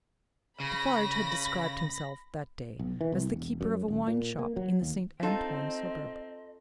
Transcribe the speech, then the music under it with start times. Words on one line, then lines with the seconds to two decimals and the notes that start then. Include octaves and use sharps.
Defarge had described himself, that day, as the keeper of a wine-shop in the Saint Antoine suburb.
0.60 C#3 B5 A#6
2.79 B1
3.01 E3
3.12 C2
3.31 E1
3.61 F#2
3.88 D#1
4.07 A#2
4.39 A#3
4.56 F#3
4.82 D#2
5.23 C4 D#4 F4 A4 D#5